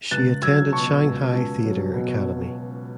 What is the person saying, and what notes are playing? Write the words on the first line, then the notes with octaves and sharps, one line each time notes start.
She attended Shanghai Theatre Academy.
C#2 F#6 A6
F#3 E6 G#6
B2 A5 C#6
C#2
C#2
F#3
B2